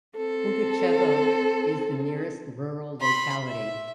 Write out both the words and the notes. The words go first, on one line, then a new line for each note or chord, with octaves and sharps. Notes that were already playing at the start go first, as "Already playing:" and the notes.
Pugachevo is the nearest rural locality.
C4 A4
B5 C6
E5